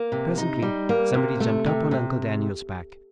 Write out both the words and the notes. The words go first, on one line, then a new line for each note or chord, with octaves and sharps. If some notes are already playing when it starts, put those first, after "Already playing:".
Presently somebody jumped up on Uncle Daniel's back.
Already playing: A#3
C3
D#4
G3
A#3
C3
A3
C3
C3